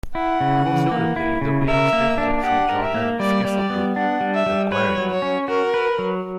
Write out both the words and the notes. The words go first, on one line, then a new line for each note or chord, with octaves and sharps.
Most notably, the Beatles developed from John Lennon's skiffle group the Quarrymen.
E4 F#5
C#3
E3
A#3
E4
C#3
A#4 E5
A#3
D4
G4 F#5
A#4
E5
A#3
G3 D5
G3
D5
B3
D4 F#5
G3
E5
G3
B4 C#5
F#3
C#5
C#4
F#4 A#4
B4
F#3